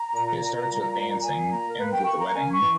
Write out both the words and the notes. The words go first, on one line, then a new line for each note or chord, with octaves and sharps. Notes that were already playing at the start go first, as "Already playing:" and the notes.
It starts with dancing, ends with a wedding.
Already playing: A#5
A#2
A#2
G3
A#2
A#2 G#5
A#3 A#5
A#4
A#3 B4
G5
A#3 C#6
A#5
C#4 G#5
C#6
E3